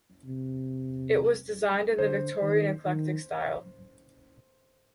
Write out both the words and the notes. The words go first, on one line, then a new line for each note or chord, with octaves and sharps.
It was designed in the Victorian Eclectic style.
C3
D3 C5
D#3
D#3